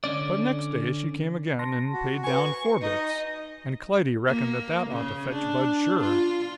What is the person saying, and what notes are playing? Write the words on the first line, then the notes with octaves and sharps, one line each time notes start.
But next day she came again and paid down four bits, and Clytie reckoned that that ought to fetch Bud sure.
D3 C#4 D5
A5 C6 A#6
F#4
B4 G#5 C#6
D#4 D#5
A#3
C#3
D4
F4